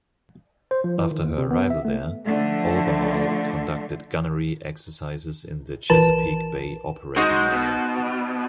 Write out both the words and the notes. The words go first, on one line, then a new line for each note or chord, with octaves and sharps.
After her arrival there, "Albemarle" conducted gunnery exercises in the Chesapeake Bay operating area.
C5
F3
E3
D#3
D#2
C3
B3
E5
A3
D3 F3 A3
A#1 E3 A#4 B4 A5 E7
G#3 D#4 F#4 C5
B2